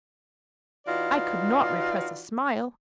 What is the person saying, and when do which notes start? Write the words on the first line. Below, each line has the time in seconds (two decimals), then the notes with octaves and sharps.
I could not repress a smile.
0.87 E3 D#4 F4 F#4 D5